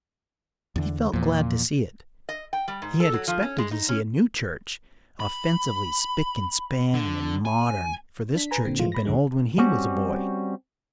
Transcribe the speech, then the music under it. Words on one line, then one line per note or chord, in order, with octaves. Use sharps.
He felt glad to see it; he had expected to see a new church, offensively spick-and-span and modern, for this church had been old when he was a boy.
E2 D3
E2 A#2 F3
D#5
G5
G3
G#2
A4
F#3
F3
C#4
G#3
D#4
C#4
B5
D3
G#5
D4 B6
B4 G#5 A#5
A#2 D3 C4
E3 F3 G#3 A3 F4
B5 A#6
C#2 F#2 D3 E3 G#3
G3 C4 C#4 F#4